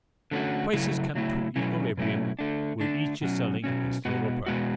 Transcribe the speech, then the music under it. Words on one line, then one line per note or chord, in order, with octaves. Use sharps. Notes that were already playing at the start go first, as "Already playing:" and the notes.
Prices come to equilibrium where each is selling his total product.
D3 A3 C#4 F#4
C#3 F#3 A3 E4
C#3 F#3 A3 E4
B2 F#3 A3 C#4 E4
B2 F#3 A3 C#4 E4
D3 A3 D4
D3 A3 D4
B2 F#3 C#4
B2 F#3 C#4
B2 G#3 B3 F#4
B2 G#3 B3 F#4